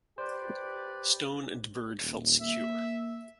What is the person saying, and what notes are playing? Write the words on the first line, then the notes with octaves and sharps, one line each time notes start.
Stone and Bird felt secure.
G4 B4 C5 D5
D#1
A#3 E5